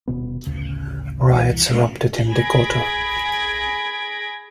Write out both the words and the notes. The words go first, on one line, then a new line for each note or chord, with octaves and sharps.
Riots erupted in Decoto.
D#1 E2 B2 B3
A1 D2 C#3
C2 E3
C3 G#3 A3 C#4
G#4 B5 G#6 A#6 D7